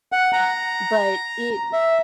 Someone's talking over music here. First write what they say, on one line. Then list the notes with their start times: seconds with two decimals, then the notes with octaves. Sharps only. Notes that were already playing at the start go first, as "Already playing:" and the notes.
but it
0.12 F#5
0.33 A#5
1.73 E5